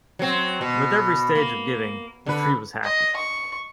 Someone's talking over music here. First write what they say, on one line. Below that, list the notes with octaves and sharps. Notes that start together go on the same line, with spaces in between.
With every stage of giving, "the Tree was happy".
F#3 C4
B2
A#3
D3 B4
D#5
C#6